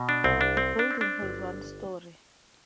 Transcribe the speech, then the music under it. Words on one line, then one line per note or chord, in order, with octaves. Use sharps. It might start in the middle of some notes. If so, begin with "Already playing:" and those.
The building has one story.
Already playing: B2
D4
C2 C4
D4
C4
D4
C4
D4
G1